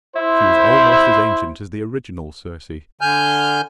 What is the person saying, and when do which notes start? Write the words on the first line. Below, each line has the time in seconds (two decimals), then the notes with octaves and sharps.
She was almost as ancient as the original Circe.
0.16 E4 C5
3.01 D3 G#5 F6 G6